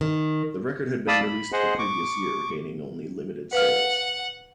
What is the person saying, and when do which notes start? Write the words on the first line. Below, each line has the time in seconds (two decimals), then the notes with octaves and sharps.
The record had been released the previous year, gaining only limited sales.
0.01 D#3
1.08 D5 F5 A5 B5 D#6 E6
1.21 B5
1.52 G#4 C5 D#5 F#5
1.79 C#6 D6
3.53 B4 F5 F#5 F6